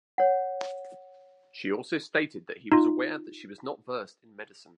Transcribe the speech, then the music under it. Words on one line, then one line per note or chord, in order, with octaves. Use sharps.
She also stated that he was aware that she was not versed in medicine.
C#5 F#5
D#4 F4